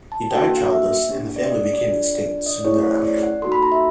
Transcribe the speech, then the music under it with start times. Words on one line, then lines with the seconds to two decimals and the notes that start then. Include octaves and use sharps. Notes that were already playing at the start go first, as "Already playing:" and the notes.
He died childless, and the family became extinct soon thereafter.
0.12 A5
0.31 A#3 D4 F#4 A4 G5
0.45 F#5
0.57 F5
0.70 E5
1.09 A#3 D4 G4
1.36 D5
1.47 D#5
1.61 D5
1.73 D5
1.87 D4 F4 G#4
2.46 D#5
2.56 D5
2.65 A3 C#4 E4 G#4 C#5
2.82 C5
2.91 C#5
3.04 D5
3.23 F#5
3.42 A#3 D#4 F#4 A4 C6
3.52 B5
3.63 A#5
3.72 E5